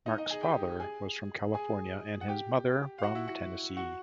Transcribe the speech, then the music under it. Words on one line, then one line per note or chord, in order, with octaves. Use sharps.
Mark's father was from California and his mother from Tennessee.
D#4 D#5
D#4 D#5
G#4 G#5
G4 G5
G#4 G#5
G#4 G#5
F#5
G4 G5
F5
F#4 F#5
E4 E5
F#4 F#5
F#4 F#5